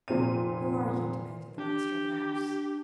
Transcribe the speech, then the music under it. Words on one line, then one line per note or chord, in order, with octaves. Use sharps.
"Who are you?" demanded the master of the house.
F1 A#2 C4 D#7
D4 G4